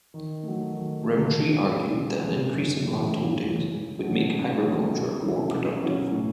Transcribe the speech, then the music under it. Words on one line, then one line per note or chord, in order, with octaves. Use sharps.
Rowntree argued that an increase in landholdings would make agriculture more productive.
D#3
F#3 A3
D#3
F#3 A3
B2
G#3 C#4
B2
G#3 C#4
F#2
C#3 E3 A3
F#2
C#3 E3 A3
G#2
D#3 F#3 A3 C#4
G#2
D#3 F#3 A3 C#4
B2
F#3 C#4 E4
B2
F#3 C#4 E4
A2